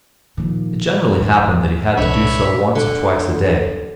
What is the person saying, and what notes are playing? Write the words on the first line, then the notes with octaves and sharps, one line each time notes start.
It generally happened that he had to do so once or twice a day.
A#2 D3 D#3 F3 A#3
C2 A#2 D4 A4 B4 C#5 E5 B5
D3